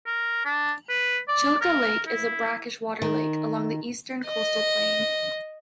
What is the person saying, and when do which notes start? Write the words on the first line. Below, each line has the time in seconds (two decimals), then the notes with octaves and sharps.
Chilka Lake is a brackish water lake along the eastern coastal plain.
0.06 A#4
0.45 D4
0.89 B4
1.28 D5
1.61 A#4
2.07 E4
3.02 D#3
4.28 D#5